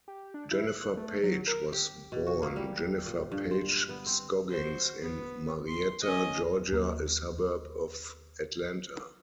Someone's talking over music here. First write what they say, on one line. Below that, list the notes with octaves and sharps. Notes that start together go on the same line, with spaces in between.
Jennifer Paige was born Jennifer Paige Scoggins in Marietta, Georgia, a suburb of Atlanta.
G4
D4
E4
F#6
A3
F#3
A#4
G4
B2
F#4
A#3
G3
A#2
G2
C5
B3
C4
F#4 C5
B3
C6
C#4 D#5
D#2 A#3